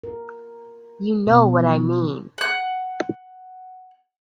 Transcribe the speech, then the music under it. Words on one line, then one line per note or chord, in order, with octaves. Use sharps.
You know what I mean.
A#4
B2
F3
F#5 F#6